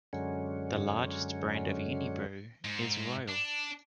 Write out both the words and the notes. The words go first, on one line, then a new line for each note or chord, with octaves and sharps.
The largest brand of Unibrew is Royal.
F#2 D3 F#3 G#3 C#4
G#2
D4